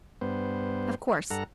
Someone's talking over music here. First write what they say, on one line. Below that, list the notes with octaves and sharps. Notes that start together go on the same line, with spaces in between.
"Of course."
G2 B3 C5
G2 A4 F#5 A#5